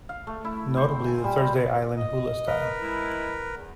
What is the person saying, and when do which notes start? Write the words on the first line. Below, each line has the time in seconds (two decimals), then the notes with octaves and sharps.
Notably the Thursday Island 'hula' style.
0.09 F5
0.27 A3
0.45 E4
0.77 C5
0.91 G5
1.06 G#5
1.24 G3
1.38 C5
1.97 D#5
2.47 A#4 B4
2.81 G#3 E4
3.54 E2